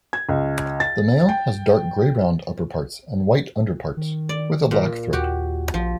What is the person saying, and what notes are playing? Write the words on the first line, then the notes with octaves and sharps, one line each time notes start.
The male has dark grey-brown upperparts and white underparts, with a black throat.
G#6
C#2
A6
G5
D#3
D5
A#2
D#2 F#4 G4
A#1 F3